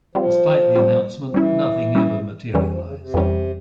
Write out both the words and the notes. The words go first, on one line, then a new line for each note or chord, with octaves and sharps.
Despite the announcement, nothing ever materialized.
F3 G3 C4 F4
G3 C4 F4
F3
E3 G3 C#4 E4
G3 C#4 E4
F2 C#3 E3 G3 C#4
F3
C#3
C3
F2 E3 G3 C#4